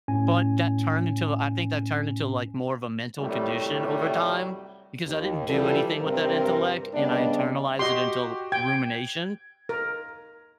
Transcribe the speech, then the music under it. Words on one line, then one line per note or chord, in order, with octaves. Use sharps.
But that turned into I think that turned into like more of a mental condition over time, because I didn't do anything with that intellect and I internalized it until rumination.
A2 C#4 G#5
D#2 A2 C3 F#3 G3
D#2
D3 E3 F3 G3 A4
G2 C3 C4 A#4
C#3 G3 B3 D4 D5 D#5
F#4 G4 D#5 C6
G5 G#6
A#4